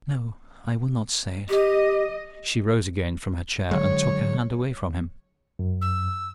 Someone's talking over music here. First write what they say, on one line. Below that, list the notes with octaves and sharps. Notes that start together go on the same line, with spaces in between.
"No--I will not say it." She rose again from her chair, and took her hand away from him.
G4 D#5
D3 F#3 G#3 C#5
F#2
E6